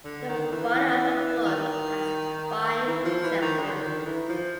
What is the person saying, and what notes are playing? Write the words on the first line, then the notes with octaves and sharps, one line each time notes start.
The body of the book has five sections.
D3
D#3
E3
E3
D#3
E3
F3
E3
D#3
D3
D#3
D#3
E3
F3